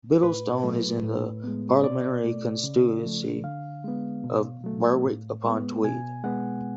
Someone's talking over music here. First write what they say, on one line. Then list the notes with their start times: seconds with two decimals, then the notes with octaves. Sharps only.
Biddlestone is in the parliamentary constituency of Berwick-upon-Tweed.
0.23 A2 B4
0.63 F#3 A3
1.03 A2
1.44 G#3 B3
1.83 B2 D5
2.24 A3
2.64 C#3
3.04 F3 A3
3.44 D3 F5
3.84 G#3 B3
4.24 B2
4.64 F#3 A3
5.05 A2
5.44 G#3 B3
5.84 B2 G#5
6.24 G#3 B3 F#5